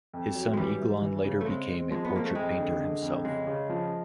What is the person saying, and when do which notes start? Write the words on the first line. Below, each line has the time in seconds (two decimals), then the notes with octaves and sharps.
His son Eglon later became a portrait painter himself.
0.13 F2
0.35 F#3
0.54 G#3
0.57 E3 G3
0.80 E3
1.02 E3
1.24 C#3
1.41 A3
1.46 G#3 C4
1.69 C4
1.91 F3 G#3
2.05 B3
2.13 A#3 C4
2.25 A3
2.35 F2 G#3
2.57 D3
2.80 D3
3.02 F2
3.25 C#3 G#3
3.47 C#3
3.69 F3